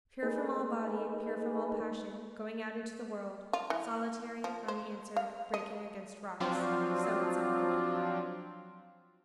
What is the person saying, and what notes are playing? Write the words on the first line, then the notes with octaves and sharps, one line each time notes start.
Pure from all body, pure from all passion, going out into the world, solitary, unanswered, breaking against rocks--so it sounded.
A3 A#3 D#4 G#4 B4
F4
E3
F3
C5
F5
D#5
F3 F#3 C4 D4 F4